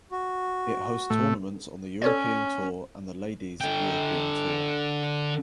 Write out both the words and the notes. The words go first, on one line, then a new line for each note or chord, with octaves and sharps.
It hosts tournaments on the European Tour and the Ladies European Tour.
F#4
A2 A3
C#4 A4 C#5 D5
D3 G5